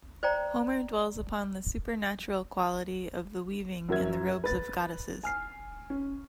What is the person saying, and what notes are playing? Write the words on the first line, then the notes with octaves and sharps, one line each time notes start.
Homer dwells upon the supernatural quality of the weaving in the robes of goddesses.
C5 D5 G5 A#5
F#2 F#3 A#4 E5 G#6
B4 A6
G#5 F6 C7
C#4